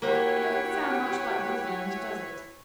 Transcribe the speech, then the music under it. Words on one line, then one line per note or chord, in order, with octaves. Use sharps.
It doesn't sound much like Rosalind, does it?
E3 A#3 F#4 G4 B4 C#5 F#5